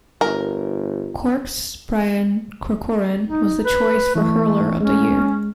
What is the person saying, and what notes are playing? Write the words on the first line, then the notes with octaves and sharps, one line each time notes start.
Cork's Brian Corcoran was the choice for Hurler of the Year.
G1 A#4
D#4
B4
E3 A3
G#3 C#4